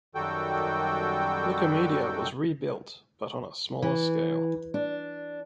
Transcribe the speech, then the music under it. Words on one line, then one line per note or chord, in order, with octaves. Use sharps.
Nicomedia was rebuilt, but on a smaller scale.
F#2 D#3 G3 F#4 A4 G5
E3
D4